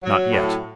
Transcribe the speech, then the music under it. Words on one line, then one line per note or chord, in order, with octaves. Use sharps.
Not yet.
F#3
A2